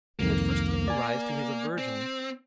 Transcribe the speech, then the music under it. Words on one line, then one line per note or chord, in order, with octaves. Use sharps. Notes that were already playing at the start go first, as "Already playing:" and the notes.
It had first given rise to his aversion.
C2 F2 D#3 A#3
D5 G#5
C4